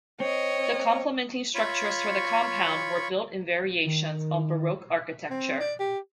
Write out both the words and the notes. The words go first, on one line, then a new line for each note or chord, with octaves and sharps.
The complementing structures for the compound were built in variations on Baroque architecture.
C4 C#5 D#5
F4 C#5 B5 C#6
D#3
C4
D5
G4